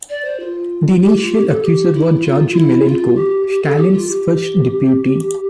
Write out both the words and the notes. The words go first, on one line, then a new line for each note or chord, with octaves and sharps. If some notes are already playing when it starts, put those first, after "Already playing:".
The initial accuser was Georgy Malenkov, Stalin's first deputy.
D5
C5
F4
G4
F4
G4
A4
G4
E4
F4
F4
E4
F4
G4
G4
A4
G4
F4
G4